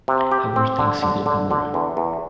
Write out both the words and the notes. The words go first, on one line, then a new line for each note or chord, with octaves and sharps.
How Are Things in Glocca Morra?
C3
G4
C4
D3
D3
D3
D3
E2
E2